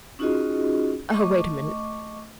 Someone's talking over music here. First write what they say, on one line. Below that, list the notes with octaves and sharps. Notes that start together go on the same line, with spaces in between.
'Oh, wait a minute.
C#4 D#4 F4 F#4 G#4 D#5
A3 D#5 C#6 D6